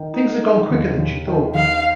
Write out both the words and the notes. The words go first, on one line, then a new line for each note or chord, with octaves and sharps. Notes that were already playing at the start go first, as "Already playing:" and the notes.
Things had gone quicker than she thought.
Already playing: D#3
D#4
D#4
D#2
D#2
D#3
D#2 F5